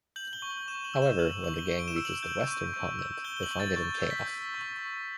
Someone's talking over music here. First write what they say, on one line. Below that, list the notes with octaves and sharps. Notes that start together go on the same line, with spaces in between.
However, when the gang reaches the western continent, they find it in chaos.
G6 F#7
G7
C#6
F#7
C#6 E7
F#7
E6
E7
G6 F#7
F#7
C#6 F#7
G7
C#6 G7
D7
E7
E6
F#7
G6
C#6
C#6
E6
G6 G7
G7
F#7
C#6
A6
C#6 G6
G6
E6
B6
G6
C#6
C#6